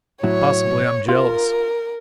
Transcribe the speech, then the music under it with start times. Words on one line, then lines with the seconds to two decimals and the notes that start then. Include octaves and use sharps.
Possibly I am jealous.
0.23 A2 F#3 E4 C#5
1.09 F4 A#4